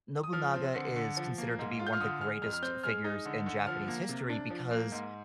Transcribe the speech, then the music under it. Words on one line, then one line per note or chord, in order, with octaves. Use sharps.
Nobunaga is considered to be one of the greatest figures in Japanese history because
D#6
F3 F6
C4
D3
D3
F3
A#3
G#2
F4
G6
F6
D3 D#6
G#3 F6
F2 F6
F6
C4 G6
G#3 F6
D#4
D3
D3
F3 F6
A#3
C3
D4
F3
A#3
G#2